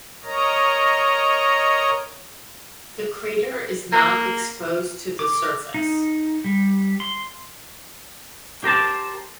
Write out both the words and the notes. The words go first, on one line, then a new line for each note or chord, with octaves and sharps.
The crater is not exposed to the surface.
A#4 C#5 D#5 A#5
A#3
D6
D#4
G3
C6
G4 A#4 C5 A5